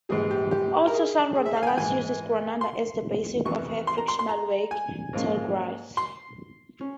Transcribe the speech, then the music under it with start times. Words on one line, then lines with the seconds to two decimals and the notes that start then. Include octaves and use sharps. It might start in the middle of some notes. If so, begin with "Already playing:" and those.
Author Sandra Dallas uses Granada as the basis of her fictional work "Tallgrass".
0.09 A#1 G#2 E3 G3 G#4
0.31 G4
0.51 G4
0.87 A#4
0.94 G#4
1.35 G#4
1.46 E5
1.56 F5
1.63 G#5
1.67 G5
1.77 A#1 G#2 E3 G#5
2.61 C6
3.45 F2 C3 E3 C#6
3.87 C6
3.98 A#5
4.08 C6
4.19 C6
4.29 A#5
4.71 G#5
5.13 G#2 F3 A#3 C#4
5.97 C6
6.81 C#4